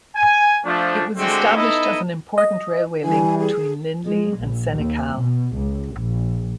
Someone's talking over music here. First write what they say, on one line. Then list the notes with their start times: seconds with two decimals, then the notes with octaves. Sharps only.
It was established as an important railway link between Lindley and Senekal.
0.15 G#5
0.65 F3 A3 D4
1.17 D3 G#3 A3 C4 F#4 G4
1.55 B3 D#4 E4 A4 D#5
2.38 D#5
3.04 E3 G3 G#5
3.39 G#4
4.06 G#3
4.37 A#1
4.74 D#2
5.17 B2
5.55 C#2
5.94 A#1